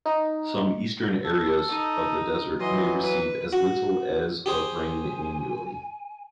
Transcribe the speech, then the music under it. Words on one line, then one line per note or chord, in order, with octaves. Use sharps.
Some eastern areas of the desert may receive as little as of rain annually.
D#4
A4
D#4
E3 F#3 D#5 C6
B4
F#4
G4 G#4 C5 G#5